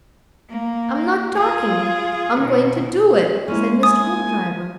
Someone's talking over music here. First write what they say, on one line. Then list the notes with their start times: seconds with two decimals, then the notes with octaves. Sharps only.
"I'm not talking; I'm going to do it," said Mr. Hoopdriver.
0.49 A#3
1.36 F4 G#4
2.40 B2 D#3
3.48 G#3 A#3 C#4 E4
3.83 G#5 D#6